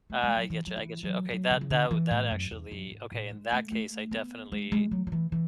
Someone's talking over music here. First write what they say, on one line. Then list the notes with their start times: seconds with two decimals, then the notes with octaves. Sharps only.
I get you I get you, okay, that that that actually okay, in that case, I definitely
0.10 A3
0.23 G#3
0.37 F#3
0.50 E3
0.67 F#3
0.77 E3
1.03 F#3
1.31 F#3
1.51 C#3
1.61 E3
1.70 D3
1.91 E3
2.11 A2
2.31 F#2
2.51 E2
2.71 F#2
2.91 G#2
3.12 A2
3.31 G#3
3.52 A3
3.72 A3
4.11 B3
4.52 G#3
4.72 G#3
4.91 F#3
5.07 F#3
5.12 E3
5.32 E3